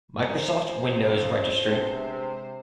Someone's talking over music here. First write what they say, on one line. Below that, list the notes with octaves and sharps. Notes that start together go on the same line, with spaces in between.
Microsoft Windows registry.
A#4 C5 G#5 A#5
F2 C#3
C3 G#3 B3 D4